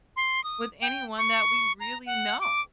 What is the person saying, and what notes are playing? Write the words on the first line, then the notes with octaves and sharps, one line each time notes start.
with anyone that we really know.
C6
D#6
G5
C#6
A#5
F#5
D6